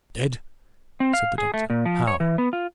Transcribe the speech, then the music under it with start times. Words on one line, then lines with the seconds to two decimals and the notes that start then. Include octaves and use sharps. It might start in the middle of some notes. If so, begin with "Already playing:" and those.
"Dead!" said the doctor, "how?"
1.00 C4
1.13 F5
1.38 G#4
1.54 A3
1.70 A#2
1.85 F3
2.07 C#5
2.20 E3
2.38 B3
2.53 F4